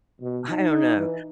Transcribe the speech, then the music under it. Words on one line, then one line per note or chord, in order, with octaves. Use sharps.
I don't know.
B2
D#4
E3